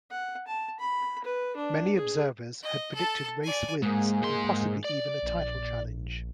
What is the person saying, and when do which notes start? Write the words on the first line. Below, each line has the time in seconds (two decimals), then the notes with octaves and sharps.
Many observers had predicted race wins and possibly even a title challenge.
0.10 F#5
0.47 A5
0.80 B5
1.24 B4
1.56 D4
1.96 G#4
2.63 D#5
2.95 A4 A5
3.44 D5 G#5
3.82 G#2 G#3 A#3 G#4
4.23 G#2 C6
4.84 D5
5.22 A#1